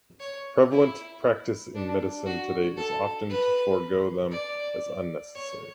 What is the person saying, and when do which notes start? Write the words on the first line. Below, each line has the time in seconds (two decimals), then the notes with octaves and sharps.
Prevalent practice in medicine today is often to forego them as unnecessary.
0.20 C#5
0.72 E4
1.75 D4
2.26 F#4
2.77 A4
3.29 B4
4.32 D5
5.35 C#5